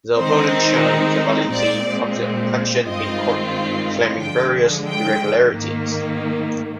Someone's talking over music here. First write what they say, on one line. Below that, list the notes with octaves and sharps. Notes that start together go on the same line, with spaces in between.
The opponents challenged the validity of the election in court, claiming various irregularities.
D#3 G#3 C4 D#4 C5
A#2 G#3 C4 D5
G2 D#3 G#3 C4 F4 D#5
D3 F3 G#3 G5
G5
G#2 D#3 A#3